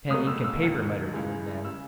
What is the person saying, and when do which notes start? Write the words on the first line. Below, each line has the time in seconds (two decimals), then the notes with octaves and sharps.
"Pen, ink, and paper," muttered Fernand.
0.09 C#2 B2 F#3 A3 D#6
0.27 E6
0.44 E6
0.62 E1 D#2 D#3
1.13 C#2 C#3 E3 G#3
1.65 C#3 G#3 E6